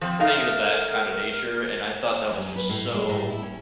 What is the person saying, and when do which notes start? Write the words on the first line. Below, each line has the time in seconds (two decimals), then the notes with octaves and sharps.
things of that kinda nature, and I thought that was just so
0.01 F3 C4
0.20 A3 D#4 A#4 F5
2.31 F#2
2.56 B4
2.69 A2
2.94 G#3
3.09 A2
3.30 E4
3.42 C#4